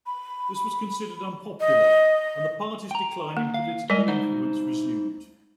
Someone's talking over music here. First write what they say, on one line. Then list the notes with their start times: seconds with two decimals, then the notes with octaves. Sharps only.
This was considered unpopular, and party's decline in political influence resumed.
0.06 B5
1.60 D#5
2.91 G5 A#5
3.37 A#3
3.54 F5
3.90 G3 G#3 A#4 D5 D#5 G#5
4.08 D#4 E4 C5 F#5